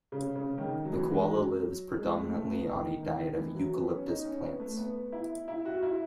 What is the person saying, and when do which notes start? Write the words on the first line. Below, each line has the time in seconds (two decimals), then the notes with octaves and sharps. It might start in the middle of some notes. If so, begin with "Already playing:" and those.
The koala lives predominantly on a diet of eucalyptus plants.
0.12 C#3
0.35 C#3
0.58 D#3
0.85 F#3
0.93 E3
1.11 G#3
1.28 F#3
1.98 G#3
2.15 A3
2.33 A3
2.50 B3
2.68 D#3
3.03 D#3
3.38 E3
3.55 F#3
3.73 B3
3.90 C#4
4.08 D#4
4.25 C#4
4.42 B3
4.60 A3
4.77 B3
5.12 E4
5.48 E4
5.65 F#4
5.83 E4